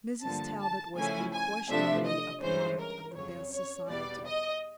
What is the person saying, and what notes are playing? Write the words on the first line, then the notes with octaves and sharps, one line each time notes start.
Mrs. Talbot was unquestionably a product of the best society.
G2 D3 F3 A#3 A5
A5
C#3 F3 A3 C#4 E4 G#5
G#5
C3 F3 A3 D4 E5
D#5
G2 E3 G#3 C#4 C5
A#4
F2 C#3 F#3 C#5
C#5
E2 B2 G3 B3 D5
D#5